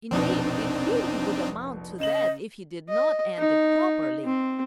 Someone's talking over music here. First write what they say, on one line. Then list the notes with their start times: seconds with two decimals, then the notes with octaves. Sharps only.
Indeed it really would amount to that if he did not end it properly.
0.11 F1 A#1 B2 C4 D4 D#4
2.00 C#3 D#5 E7 F#7
2.89 D#5
3.38 D#4
4.24 C4